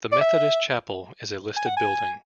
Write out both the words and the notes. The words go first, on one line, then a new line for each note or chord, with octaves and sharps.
The Methodist Chapel is a listed building.
D5
E5
G#5
F#5
G#5